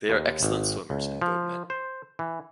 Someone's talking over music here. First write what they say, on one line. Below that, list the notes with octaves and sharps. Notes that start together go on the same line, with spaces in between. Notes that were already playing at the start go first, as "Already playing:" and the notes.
They are excellent swimmers and boatmen.
D#2
G#1
C#2
F3
C5
E3